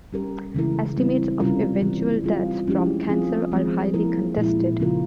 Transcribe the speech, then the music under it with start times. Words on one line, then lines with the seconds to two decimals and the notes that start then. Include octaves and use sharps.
Estimates of eventual deaths from cancer are highly contested.
0.13 G3 C#4 G4 A#4
0.55 C#3 E3 G#3 E4 A#4
0.97 G3 C4 E4
1.40 C3 G3 C#4 F4 A#4
1.82 E3 G3 C4
2.24 G3 C4 F4 G#4
2.67 F3 G#3 C#4 E4 G4
3.09 F3 C4 F4 G#4
3.52 F3 G#3 C4
3.94 F3 A#3 E4 A#4
4.37 A#2 F3 G#3 E4
4.80 C#3 F3 A#3 F4 A#4